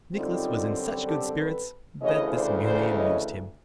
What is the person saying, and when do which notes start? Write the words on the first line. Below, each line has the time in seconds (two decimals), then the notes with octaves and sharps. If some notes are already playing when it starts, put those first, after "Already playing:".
Nicholas was in such good spirits that this merely amused him.
0.13 F#2 D3 G3 C4 D#4 F4
1.07 G4 A4
1.38 A4 B4
2.00 D2 C#3 E3 C#5 D#5
2.31 C5 D5
2.62 C5 D5
2.93 C#5 D#5